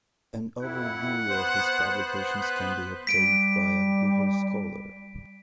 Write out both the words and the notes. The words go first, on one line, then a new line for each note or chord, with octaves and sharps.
An overview of his publications can be obtained via Google Scholar.
F2 E4 F#5
B3 C5 F#6
B4
G3 B6 D7